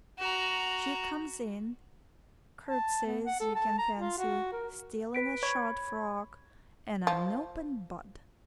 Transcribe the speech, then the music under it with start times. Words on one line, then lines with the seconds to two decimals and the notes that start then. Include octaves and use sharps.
She comes in, curtseys, you can fancy, still in a short frock--an unopened bud!
0.19 F#4 A#5
2.68 A5
3.06 B3
3.26 F#5
3.40 A4
3.56 A5
3.78 A#5
3.98 F4
4.18 F#4
4.52 A#4
5.15 B4 B6 D7
5.43 C#5 B5 C#6 G#6
7.07 F3